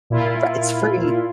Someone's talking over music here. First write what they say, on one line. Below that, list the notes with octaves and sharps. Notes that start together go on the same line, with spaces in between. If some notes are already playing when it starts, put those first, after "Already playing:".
Right, it's free.
A#2 E4 F4